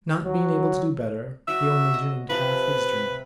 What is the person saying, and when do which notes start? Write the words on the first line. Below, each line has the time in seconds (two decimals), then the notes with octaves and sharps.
Not being able to do better, he only dreamed half his dream.
0.24 F#3
1.48 F#3 F#4 E5
1.94 D#5
2.30 C3 F3 B4